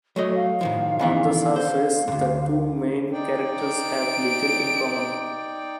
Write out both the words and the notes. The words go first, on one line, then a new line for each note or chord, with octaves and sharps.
On the surface, the two main characters have little in common.
F#3 A3 C#5 D#5
F5
A2 D#3 F3
D#3 E3 B3
C5 F5
D2 G#2
D#4 D5 G5
D7